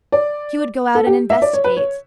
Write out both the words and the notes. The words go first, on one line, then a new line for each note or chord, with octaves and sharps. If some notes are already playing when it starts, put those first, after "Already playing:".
He would go out and investigate.
D5
A4
G4
E5
D5
C#5
B4
C#5